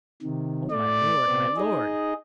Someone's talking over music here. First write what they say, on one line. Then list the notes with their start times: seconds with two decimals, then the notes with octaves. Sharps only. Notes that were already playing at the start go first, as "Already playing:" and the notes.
"Oh, my lord, my lord!"
0.22 C3 D#3
0.71 A2 A3 D5
1.26 C3 B3 C4
1.56 D#4 G#4 D#5